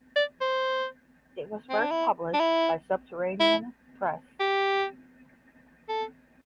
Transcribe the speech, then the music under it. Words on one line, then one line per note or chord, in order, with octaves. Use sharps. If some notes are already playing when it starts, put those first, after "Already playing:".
It was first published by Subterranean Press.
D5
C5
C4
D4
E4
D4
E4
E4
G4
A4